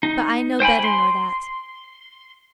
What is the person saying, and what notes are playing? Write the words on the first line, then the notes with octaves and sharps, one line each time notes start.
But I know better nor that.
D#4
C5 G5 G#5 B5
C6